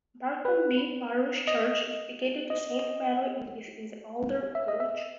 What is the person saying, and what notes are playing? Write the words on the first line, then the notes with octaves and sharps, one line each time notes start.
Barcombe parish church is dedicated to Saint Mary, and is in the older village.
B4
D#5
D#5
E5
D#5
E5